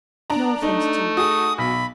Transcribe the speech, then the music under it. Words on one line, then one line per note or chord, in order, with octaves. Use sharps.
No offence to you.
D4 A#5
A3 D#4
F#4 G#4 D#6
B1 B5